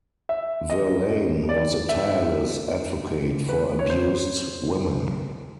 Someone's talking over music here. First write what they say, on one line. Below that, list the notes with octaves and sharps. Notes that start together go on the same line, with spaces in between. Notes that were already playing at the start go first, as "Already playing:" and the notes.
Verlaine was a tireless advocate for abused women.
E5
D#5
D5
E5
B4
C#5
C5